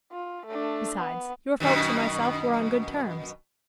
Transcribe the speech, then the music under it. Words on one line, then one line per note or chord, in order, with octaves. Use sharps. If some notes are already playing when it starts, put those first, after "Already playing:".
Besides, your folks and myself were on good terms.
F4
A3 D4
B3
F#2 B2 D#3